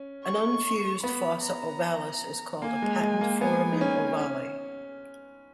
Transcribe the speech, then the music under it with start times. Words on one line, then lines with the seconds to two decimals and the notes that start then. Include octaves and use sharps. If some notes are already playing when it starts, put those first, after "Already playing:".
An unfused fossa ovalis is called a patent foramen ovale.
Already playing: C#4
0.24 C#6
1.04 B3 B5
1.43 A#5
2.62 A#3 G#5
2.82 G#3
3.01 G#3
3.21 A#3
3.41 B3 G#5
3.73 D#4
3.81 C#4 G#5
4.20 C#4